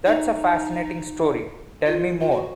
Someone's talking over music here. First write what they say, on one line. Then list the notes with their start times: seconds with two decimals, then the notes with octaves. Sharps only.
That's a fascinating story, tell me more!.
0.06 D#4
1.86 F4
2.20 F4
2.31 F#4